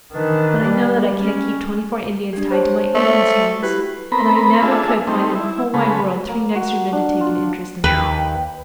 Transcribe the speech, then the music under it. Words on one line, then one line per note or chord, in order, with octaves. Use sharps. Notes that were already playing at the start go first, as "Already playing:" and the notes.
But I know that I can't keep twenty-four Indians tied to my apron strings, and I never could find in the whole wide world three nicer men to take an interest in them.
D#3 E3 D4 B4
G3
C#4
D4 G4
C5 C#5 A5
A3
E4 F#4 G4 B4
B3 C4 A#4 B5
D4 F4 G#4 A4 E5
G3 A3 C4 D#4
E4
C#3 G#3 A3 B4
A#3
F#4
D4
F4
D#2 B4 G5